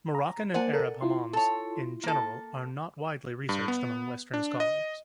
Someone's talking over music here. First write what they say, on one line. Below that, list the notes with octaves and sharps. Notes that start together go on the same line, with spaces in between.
Moroccan and Arab hammams in general are not widely researched among Western scholars.
A#5
A#3 A#4 C5 D5 F#5 G#5
A4 A#4
E4 F4 C6
A4 C#5
A#3 A4
G2
B3
D4
D#5